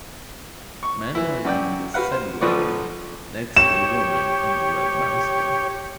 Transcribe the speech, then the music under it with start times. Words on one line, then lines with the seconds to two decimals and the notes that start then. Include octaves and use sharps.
Man riding a Segway next to a woman on a red bicycle.
0.83 C#6
1.15 E3 E4
1.45 F#2 D5 G5
1.94 F#4 G4 B4 F5 F#5
2.12 C5
2.41 B1 F3 B4 D5 C#6
3.56 G4 C#5 E7